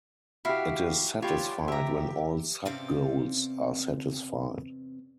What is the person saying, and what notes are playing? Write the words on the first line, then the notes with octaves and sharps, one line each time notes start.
It is satisfied when all sub-goals are satisfied.
E4 F#4 G4 F5
F4 G4 B4 C#5 D5
G4 E5 A#5
E2 C3 C4 C#4 D5 F5